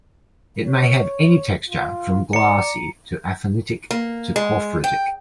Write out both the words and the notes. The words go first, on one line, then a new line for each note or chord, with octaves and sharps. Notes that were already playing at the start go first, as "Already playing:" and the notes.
It may have any texture from glassy to aphanitic to porphyritic.
C#5
F4
D5 A#5 C#7
A#3
G#3
G5